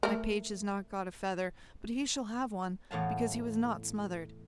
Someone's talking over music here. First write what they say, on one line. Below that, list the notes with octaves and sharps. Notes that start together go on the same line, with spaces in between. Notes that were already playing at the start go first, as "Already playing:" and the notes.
My page has not got a feather, but he shall have one, because he was not smothered.
A3 A#4
E2 A2 F5 A5